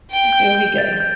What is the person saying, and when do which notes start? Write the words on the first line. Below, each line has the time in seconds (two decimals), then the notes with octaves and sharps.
It'll be good,
0.10 G5
0.33 G6
0.55 G6
0.78 A6
0.93 A6
1.00 G6